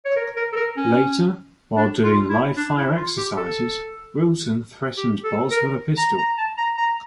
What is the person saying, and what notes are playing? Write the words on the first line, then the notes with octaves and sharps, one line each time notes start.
Later, while doing live fire exercises, Wilson threatens Bozz with a pistol.
C#5
A#4
A#4
A4
A#4
C#4
D4
F4
E4
D4
E4
F4
G4
A4
G4
A4
A#4
A#5
A#5
A5
A#5
A#5